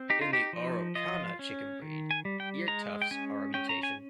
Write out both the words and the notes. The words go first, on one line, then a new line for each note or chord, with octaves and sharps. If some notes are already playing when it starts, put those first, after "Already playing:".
In the Araucana chicken breed, ear tufts are a mutation.
Already playing: C4
D#4 G4
F4
G4
F3
F4 D#5
C#4
D#3
G#5
G3
G5
G#3 A#5
G5
C#4 G#5
C#4 G5
A#5
G#5